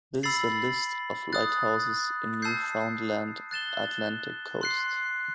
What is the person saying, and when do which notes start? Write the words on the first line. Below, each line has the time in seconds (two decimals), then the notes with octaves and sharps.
This is a list of lighthouses in Newfoundland Atlantic Coast.
0.23 B5 E6 A6 C7 F#7
1.33 D#6 F#6 A6
2.42 A5 E6 G6 C7
3.51 F#6 A6 E7 G7
4.61 C6 F#6 C7